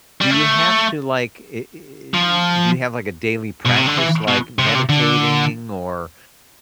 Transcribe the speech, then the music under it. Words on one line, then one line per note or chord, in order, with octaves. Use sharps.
Do you have to, like, eh eh eh eh do you have, like, a daily practice, like meditating or,
G3
A3
F3
B2
C3
D3
E3
B2
C3
D3
C3
D3